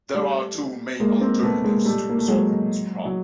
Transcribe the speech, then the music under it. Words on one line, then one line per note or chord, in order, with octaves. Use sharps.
There are two main alternatives to resolving this problem.
G3 A3
G#3 A#3
A#3 C4
A3 B3
G#3 A#3
G3 A3
A#3
A3
F#3 G#3
F#3